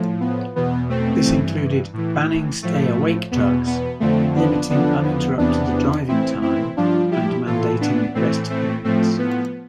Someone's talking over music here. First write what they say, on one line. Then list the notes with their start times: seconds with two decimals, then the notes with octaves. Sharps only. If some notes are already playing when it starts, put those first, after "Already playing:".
This included banning "stay-awake" drugs, limiting uninterrupted driving time and mandating rest periods.
Already playing: A2 F3
0.21 B3
0.56 E2 B2 B3
0.89 A3 C4
1.24 G2 E3
1.94 A2 E3
2.62 A2 F3 A3
3.31 E2 B2 B3
3.67 B3
4.00 F2 D3 F3 A3 C4
4.35 B3 D4
4.70 E2 D3 F3 B3 D4
5.04 B3
5.38 E2 C3 E3 B3 D4
6.08 A2 E3 C4 E4
6.42 C4 E4
6.77 G2 F3 D4 F4
7.11 E4 G4
7.46 A2 E3 F4 A4
7.81 B3 D4
8.15 A2 E3 A3 C4
8.50 A3 C4
8.84 A2 F3 A3 C4
9.19 B3